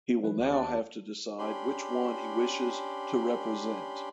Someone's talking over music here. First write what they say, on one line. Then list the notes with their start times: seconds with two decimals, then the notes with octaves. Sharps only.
He will now have to decide which one he wishes to represent.
0.23 E3 F#3 B4
0.39 D#2 G4 C#5
0.52 D4
1.39 C#4 D4 G4 B5 C6